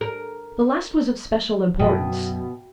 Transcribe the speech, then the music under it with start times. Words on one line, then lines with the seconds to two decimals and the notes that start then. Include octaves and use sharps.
The last was of special importance.
0.01 A#4
1.79 F#2 B2 F#4 E5 G5